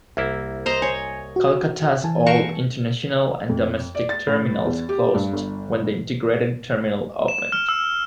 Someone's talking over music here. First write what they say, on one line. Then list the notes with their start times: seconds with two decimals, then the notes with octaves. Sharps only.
Kolkata's old international and domestic terminals closed when the integrated terminal opened.
0.17 C2 A#3 E4 E5
0.66 C5 D#5 A#5
0.82 C#5 G#5
1.36 F#4
2.04 E3 G#5 A5
2.27 F#4 A#4 C5 C#6
3.49 F2
3.95 D5
4.09 A6
4.27 A2
4.64 E2
4.89 G4
5.14 G2
5.33 G1
7.28 E7
7.52 F6
7.69 E6